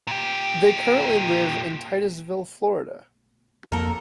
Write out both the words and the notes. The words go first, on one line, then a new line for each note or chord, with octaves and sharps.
They currently live in Titusville, Florida.
A#2 G4
F2 A#3 A4 A#4